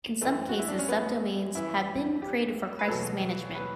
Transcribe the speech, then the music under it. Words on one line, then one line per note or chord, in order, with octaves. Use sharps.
In some cases subdomains have been created for crisis management.
F#2 E3 A3
F#4
E4
D4
C#4
B3
F#2 E3 E4
G4
B4
E2 B2 F#3 A4
B4